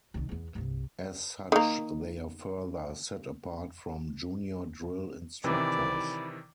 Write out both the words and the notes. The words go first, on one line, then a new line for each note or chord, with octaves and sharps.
As such, they are further set apart from "junior" Drill Instructors.
C2 D#3
E2 B3
C2 G2
D#3 A#3
C3 D#3 E3 E4 D5